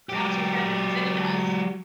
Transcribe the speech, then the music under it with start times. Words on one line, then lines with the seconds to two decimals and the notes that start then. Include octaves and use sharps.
Perhaps your friend in the city does.
0.09 F#3 G4